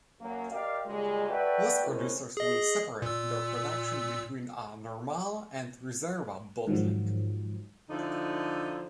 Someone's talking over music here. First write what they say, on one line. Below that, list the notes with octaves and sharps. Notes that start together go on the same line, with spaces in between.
Most producers will separate their production between a "normale" and "riserva" bottling.
F#2 F#3 A#3
G4 A#4 D5 D#5 F5
A#2 C#3 G3 G#3
F#4 A4 B4 D5 E5 G5
G#3 A3 C4 C#4 E4 A#4
G#4 D#5
A#2 E6
G#2 D#3 F3 F#3
D3 F3 D#4 E4